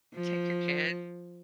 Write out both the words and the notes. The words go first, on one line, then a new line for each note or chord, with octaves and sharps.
Take your kid.
F3